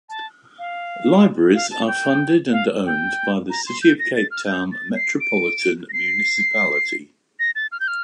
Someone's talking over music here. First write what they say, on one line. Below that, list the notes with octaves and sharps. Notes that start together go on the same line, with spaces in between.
Libraries are funded and owned by the City of Cape Town Metropolitan municipality.
A5
F5
F5
A5
G5
F5
G5
A#5
C6
G6
A#6
A6
F6
G6
A6
C7
D7
A#6
C7
A#6
A6
F6
G6
F6